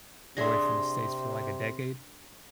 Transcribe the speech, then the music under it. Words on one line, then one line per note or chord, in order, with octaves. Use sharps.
away from the States for like a decade.
C3 D4 G#4 E5 C6 A#6